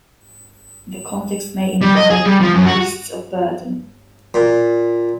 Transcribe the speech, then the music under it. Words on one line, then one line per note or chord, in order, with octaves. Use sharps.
The context may imply beasts of burden.
G3
D#5
G#4
G3
F3
F#2
F#4
A#2